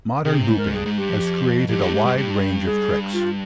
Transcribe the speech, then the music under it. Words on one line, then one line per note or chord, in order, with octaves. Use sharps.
Modern hooping has created a wide range of tricks.
C3 G#4
G#2
A#4
G2 G#4
G#2
G2 G4
F2
F2 G4
G2
G#2
G2
G2
G#4
F4